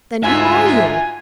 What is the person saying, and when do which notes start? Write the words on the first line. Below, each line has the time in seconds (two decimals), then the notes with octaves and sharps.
"Then who are you?"
0.23 D2 G#2 F4 F#4 E5 G#5